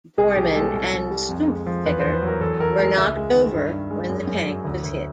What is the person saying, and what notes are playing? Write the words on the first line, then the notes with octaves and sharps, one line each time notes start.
Bormann and Stumpfegger were "knocked over" when the tank was hit.
C2 G#4
C2 G4
G#3 A4
C2
C2
G3
F2
G#3
F3
E2 B4
E2 C5
B4
F#3
A#4
E2 A4
E2 A#4
G#3 A#4
C#2 E5
G#3
D#3
G2
G2
G#3
F#2
F#2
F#3
D2
D2